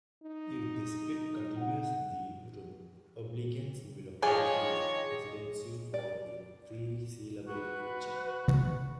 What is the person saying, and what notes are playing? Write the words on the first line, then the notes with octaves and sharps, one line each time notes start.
If this split continues, the Republicans will hold the Presidency for the foreseeable future.
D#4
F#5
D#3 F3 D4 G#4 C#5 D#5 G#5 G#6
D5
F#4 B4